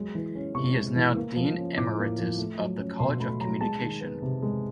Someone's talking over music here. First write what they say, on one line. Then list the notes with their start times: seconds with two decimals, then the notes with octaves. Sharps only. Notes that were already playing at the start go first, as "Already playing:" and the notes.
He is now Dean Emeritus of the College of Communication.
Already playing: F#3 G#3
0.15 E3
0.35 C#4
0.55 C3 C#6
0.76 G#3
0.96 E3
1.16 A#3
1.36 F3
1.57 C#4
1.77 A2 D6
1.98 A#3
2.19 F3
2.38 A3
2.59 F#3
2.79 C#4
2.99 B2 C6
3.20 A3 B5
3.40 F#3 A#5
3.61 G#3 A5
3.81 D#3
4.01 B3
4.22 C3
4.42 G#3